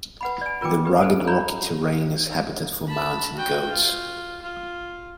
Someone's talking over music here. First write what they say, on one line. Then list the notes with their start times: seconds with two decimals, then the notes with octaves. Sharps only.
The rugged rocky terrain is habitat for mountain goats.
0.21 B4 F#5 B5
0.41 D5 G#5
0.61 F4 A#4 B4 G5 D6
0.85 G4 B4
1.00 A4 B4 C5 G#5 A5
1.28 C#5 D5 A#5 B5
2.87 A5 B5
3.35 F#4 G5
3.70 F4
4.41 F4